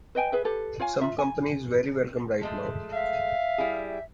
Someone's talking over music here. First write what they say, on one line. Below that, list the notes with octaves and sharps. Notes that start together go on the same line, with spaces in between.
Some company is very welcome right now.
B4 D#5 G5 G#5
G#4 B4 E5
G4 A4 B4
F4 C#5 F5 G#5
F4 E5
G#5
F3 G#3 A3
E5 F5
G3 E4 G#4